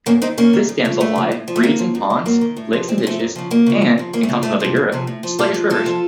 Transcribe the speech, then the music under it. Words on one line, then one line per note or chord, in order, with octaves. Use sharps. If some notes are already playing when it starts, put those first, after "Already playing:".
This damselfly breeds in ponds, lakes and ditches and, in continental Europe, sluggish rivers.
F#2 A#3 C#4
D#3 C4 D#4
F#2 A#3 C#4
D#3
F#2
C#3 F3
F#2 A3
C#3 F3
A2
F3
A3
A2 A#3
F3
F#2
D#3
F#2 A#3
D#3
A2
F3
A2 C4
C#4
F3 A3 C4
F#2
C#3 F3
F#2 A#3
C#3 F3
D#2
C#3 F3
D#2 A#3
A3
C#3 F3
F2 A3
C3 F3
F2
C3 F3
A2
F3
A2 F4 A4
F3
A2 F4 A4
F3